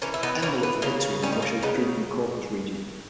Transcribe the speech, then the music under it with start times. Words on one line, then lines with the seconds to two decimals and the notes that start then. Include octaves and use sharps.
Enver looked for victory when Russia withdrew from the Caucasus region.
0.02 E3 A#3 C#4
0.14 E4
0.23 B3 D#4
0.42 E3 A#3 C#4
0.63 B3
0.82 C#3 A#3
1.22 G3 C#4
1.32 D#4
1.42 A#3 C#4
1.62 C#3 B3 D#4